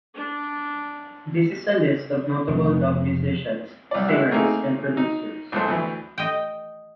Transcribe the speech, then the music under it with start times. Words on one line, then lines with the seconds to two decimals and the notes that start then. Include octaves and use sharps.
This is a list of notable dub musicians, singers and producers.
0.15 D4
2.48 F1
3.91 C2 D5
4.07 G#3 E4 F#4
4.31 A3 A#3 C4 D#4 G#4
4.97 D#4
5.52 A#1 G#2 A4 C5
5.68 D2 E3
6.18 D#5 G5